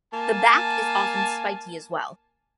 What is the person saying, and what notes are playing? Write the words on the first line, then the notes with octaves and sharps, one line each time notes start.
The back is often spiky as well.
A#3 G#5 A5